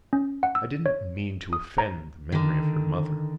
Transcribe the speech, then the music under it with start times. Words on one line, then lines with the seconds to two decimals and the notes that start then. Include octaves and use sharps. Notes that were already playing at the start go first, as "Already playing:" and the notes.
I didn't mean to offend the memory of your mother.
0.13 C#4
0.43 F#5
0.55 E6
0.86 C#5
1.53 D#6
1.78 A#5
2.32 D3 D#3